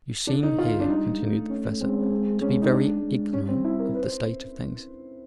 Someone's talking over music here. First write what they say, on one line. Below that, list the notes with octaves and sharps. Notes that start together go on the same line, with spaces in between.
"You seem here," continued the professor, "to be very ignorant of the state of things."
D3 D4
D#4
F4
D4
G3 D#4
A3
C#4
G#3 C4
C#4
C4
C4
G#3 C#4
D#4
D4
G#3
G3 C#4
C4
E4
A#4
B4
C5